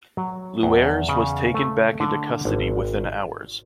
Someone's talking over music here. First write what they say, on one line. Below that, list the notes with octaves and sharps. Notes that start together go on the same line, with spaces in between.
Luers was taken back into custody within hours.
F#3
E2
C#3
A3
D3
G#1